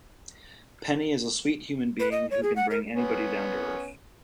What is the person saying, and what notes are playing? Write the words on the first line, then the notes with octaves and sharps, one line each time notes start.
Penny is a sweet human being who can bring anybody down to earth.
B4
D#5
C#5
G#4
F#5
A#4
B3 C#4